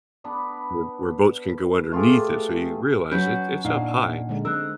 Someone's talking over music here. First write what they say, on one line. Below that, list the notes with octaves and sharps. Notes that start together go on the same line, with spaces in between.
where where boats can go underneath it, so you realize it it's up high.
B3 D4 B4
A3 F4 G4 G#4
F#3 C#4 B4 G6
A#2 D4 D#4 F5 F#5
D3 G#3
C4 A#4 E6 F#6